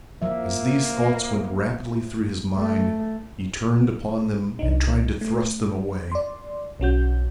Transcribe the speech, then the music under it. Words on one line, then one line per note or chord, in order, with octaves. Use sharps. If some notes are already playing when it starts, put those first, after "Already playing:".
As these thoughts went rapidly through his mind, he turned upon them and tried to thrust them away.
F3 A#3 E5
A3
C2 D4 D#4
A3
D5 C6
B1 C#4 F#4 G6